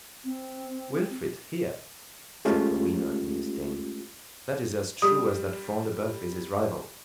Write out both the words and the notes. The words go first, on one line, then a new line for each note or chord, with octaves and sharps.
"Wilfred here?" said Rowena, in disdain; "that is as true as that Front-de-Boeuf is his rival."
C4
G#3 A3 C#4 F4 G4
G3 D#6